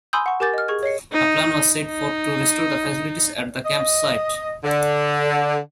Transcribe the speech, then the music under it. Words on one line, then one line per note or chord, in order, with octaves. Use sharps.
A plan was set forth to restore the facilities at the camp site.
G#5 B5 C6 D#6 E6 G6
F#5 C#6
G4 A#4 G#5 D6 G6 A6
D#5 F6
G#4 C#6 G#6
C#5 D#5 C7 C#7
D#4
D#4
D#5
D3